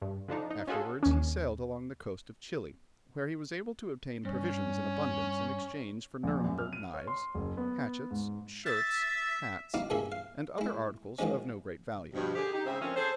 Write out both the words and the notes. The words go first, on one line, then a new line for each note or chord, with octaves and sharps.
Afterwards he sailed along the coast of Chili, where he was able to obtain provisions in abundance in exchange for Nuremberg knives, hatchets, shirts, hats, and other articles of no great value.
G2
D3 F3 D4 D#4
D#4
C#4 F4 F#4 G#4 A4
D#2 C#4
G2 C#4
A#1
F#2
F6
D#7
C#5
C6
F#1
B3
G#2
E5 A6
D#4 E4 F#4 D5 F5
C2 G2 A#2 C#3 G#4 E5
F5
G#3 E4
D#3 F3 F#3 G#3 C#4
G2 B2 F3
D3 G4 G#4
D#4 G4
G#2 C#3 C4 G#4 C5 E5
A#2 D3 F3 C4 C#4
G#4 A4 C5